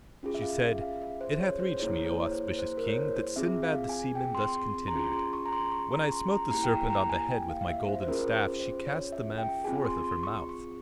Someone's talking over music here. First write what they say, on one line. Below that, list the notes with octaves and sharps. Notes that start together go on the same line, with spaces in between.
She said, It hath reached me, O auspicious King, that Sindbad the Seaman thus continued:--When I smote the serpent on the head with my golden staff she cast the man forth of her mouth.
C#4 F4 G#4
E5
F5
E5
F5
E5
C5
C#5
C5
A#3 E4 G#4 C#5
C5
C#5
C5
C5
A#4
C#5
C5
C4 F4 G#4 E5
F5
G#5
G5
C6
C6
C6
A#5
C#4 F4 G#4 C6
C6
C#6
A#5
C6
C#6
A#5
C6
A#5
A#3 E4 G4 A#5
G5
G#5
A#5
G#5
G5
F5
F5
E5
C5
C5
C#4 F4 G#4 A#4
C5
C5
C#5
E5
G5
C4 F4 G#4 G#5
C6
C6
C#6
C#6